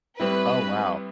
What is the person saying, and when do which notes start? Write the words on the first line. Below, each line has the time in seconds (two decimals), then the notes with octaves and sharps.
Oh, wow.
0.19 A2 G3 C4 E4 B4